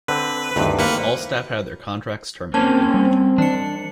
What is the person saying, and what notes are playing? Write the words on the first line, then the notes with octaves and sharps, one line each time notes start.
All staff had their contracts terminated.
D3 C4 B4
D2 G2 D#3 E3 C4
G3 A#3 B4 C5 C#7
A#3 C4 C#4 A5
G3
E3 D4 C#7